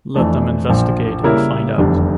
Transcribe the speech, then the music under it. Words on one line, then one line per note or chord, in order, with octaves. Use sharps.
Let them investigate and find out.
F2 E3 A3 D4
A#1 A#2 F3
C#3 G3 A#3 E4 A#4
F1 E2 D3 G3